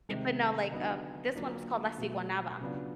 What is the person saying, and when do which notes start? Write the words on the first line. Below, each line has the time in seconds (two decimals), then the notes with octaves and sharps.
but not, like, um this one was called La Siguanaba.
0.09 C3 D#3 G#3 C4
0.72 D3 F#3 B3 D#4
1.35 D3 F#3 A#3 D4 F4
1.98 B2 F#3 A3
2.61 C#3 F#3 B3 D4 F4